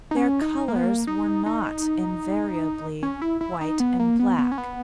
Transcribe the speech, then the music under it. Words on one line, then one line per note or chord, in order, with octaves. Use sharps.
Their colours were not invariably white and black.
D#4
C#4
D#4
A#3
B3
A#3
D#4
D#4
C#4
E4
E4
D#4
B3
A#3
B3
B3
C#4
B3